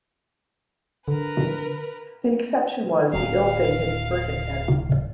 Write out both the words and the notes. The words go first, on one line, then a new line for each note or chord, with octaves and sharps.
The exception was the ill-fated "Birkenhead".
D3 A#4 B4
D1 F#3 F5